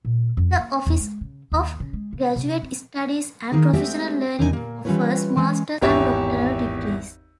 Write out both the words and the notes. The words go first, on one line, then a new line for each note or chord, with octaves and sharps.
The Office of Graduate Studies and Professional Learning offers master's and doctoral degrees.
A#2
F2
A#3
E2
G#3
C#3
D#2
C#3
G#3
C#3
C3
C4
D#3 A#3 D#4 G#4
G#3 A3 C4 F#4 G4 E5
E2 C3 D#4 A#4 B4 G#5
A#2 A#3
E3 G3 C#4 F4 B4 C#5
E3 G#3 C#4
G#1 E2 G4 C#5 E5